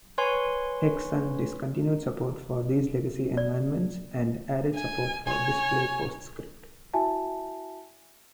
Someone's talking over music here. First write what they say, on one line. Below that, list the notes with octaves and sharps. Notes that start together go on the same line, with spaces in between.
Xsun discontinued support for these legacy environments, and added support for Display PostScript.
B4 C#5 G#5 C6 C#6
D5
G#5
C#5 G#5
E4 F#4 E5 G#5 A5